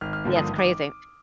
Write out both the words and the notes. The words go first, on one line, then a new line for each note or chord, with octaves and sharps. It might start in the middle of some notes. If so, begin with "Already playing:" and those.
Yeah, it's crazy.
G#1 F6
F6
G2 D3 F3 A#3
D#6
G#1
D6